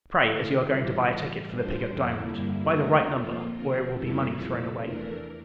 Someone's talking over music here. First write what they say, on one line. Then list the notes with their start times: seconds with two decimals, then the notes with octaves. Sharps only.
Pray, as you are going to buy a ticket for the Pigot diamond--buy the right number, or it will be money thrown away.
0.22 D3 A3 E4 F5
0.64 E3 G3 D4 F4
1.05 A2 E3 G3 D5
1.46 A2 G3 D4 F4 C5
1.88 F2 D3 F3 A#3 E4
2.28 G2 D3 G3 A#3 E4
2.70 E2 D3 A3 C4 F4 A#4
3.12 A#2 F3 A#3 F4 A4
3.53 D3 F3 C4 A#4
3.94 F2 E3 G3 A#3 E4 A4
4.36 F2 C3 F3 A3 A4
4.78 E2 E3 A3 D4 A#4